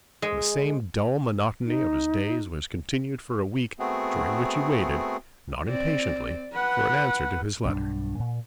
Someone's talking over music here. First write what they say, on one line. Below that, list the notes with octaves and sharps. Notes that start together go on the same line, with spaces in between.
And the same dull monotony of his days was continued for a week, during which he waited, not impatiently, for an answer to his letter.
G#3
D#4
A3 B3 C4 F#4 G#4
C4 D5
B4 F#5
B1 G2 E3 D4
A#2